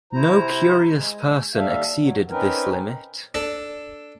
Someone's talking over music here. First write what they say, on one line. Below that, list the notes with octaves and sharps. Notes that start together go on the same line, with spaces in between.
No curious person exceeded this limit.
C3 E4 C5 A#5
G#3
D#2 G3 A4 E5 F5
F#3
C4 C#4 D#4 A#4 B4
D4 A4